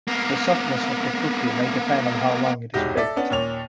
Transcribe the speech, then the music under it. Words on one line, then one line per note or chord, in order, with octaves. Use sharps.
The softness of the cookie may depend on how long it is baked.
A#3 B3
E1 C2 G#2 F#4 G4 A#6
A4 D5 E5
B3 C#4 D4
D#2 A#2 C#5 F7